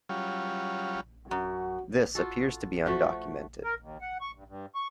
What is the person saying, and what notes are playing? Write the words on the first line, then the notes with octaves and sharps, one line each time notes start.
This appears to be undocumented.
F#3 G3 C#4 F4
F#2 F#4
F4 F#4 A4
F3 A3 F#4
A#4
D#2
F#5
C#6
G2
G2
C#6